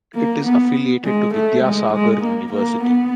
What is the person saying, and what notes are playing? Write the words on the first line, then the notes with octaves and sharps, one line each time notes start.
It is affiliated to Vidyasagar University.
A#3
B3
G#3
A3
G#3
G#3
A#3
A#3
B3